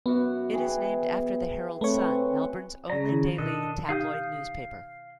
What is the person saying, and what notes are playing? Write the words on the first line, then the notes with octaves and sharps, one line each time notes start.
It is named after the "Herald Sun", Melbourne's only daily tabloid newspaper.
F#2 B3 F#4 E5
E3 G#4 G5
A3 C4 B4 C#5
C#3 D5 A#5
D#3 E4
B2 D4 A4 D#5
D#4 G4 F5 D#6 G6